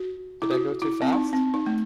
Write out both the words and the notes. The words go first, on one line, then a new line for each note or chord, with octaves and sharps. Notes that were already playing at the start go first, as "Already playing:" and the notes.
Did I go too fast?
Already playing: F#4
E4
F#4
E4
C4
D#4
C4
D#4
A3